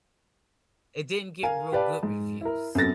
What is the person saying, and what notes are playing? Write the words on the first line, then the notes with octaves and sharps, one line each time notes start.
It didn't get real good reviews.
A#4 F5 G#5
G4 B4 D5 F5 A5
G#2
E4 A#4
F#2 C3 B3 A4 A6 A#6